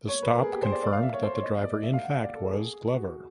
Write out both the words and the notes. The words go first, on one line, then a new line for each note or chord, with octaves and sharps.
The stop confirmed that the driver in fact was Glover.
C#5
B4
A#4
G#4
G4
C5
D5
D5
F5
E5
C#5
C5
C#5
D#5
D#5
D5
D#5
E5
F5
F#5
F5
D5
A4
G#4
G#4
F#4